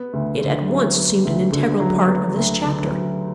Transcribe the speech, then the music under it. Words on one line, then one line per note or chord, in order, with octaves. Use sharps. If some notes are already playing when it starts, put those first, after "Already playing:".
It at once seemed an integral part of this chapter.
Already playing: B3
D2
D3
F#3
B3
D2
D3
F#3
B3
D2
D3
F#3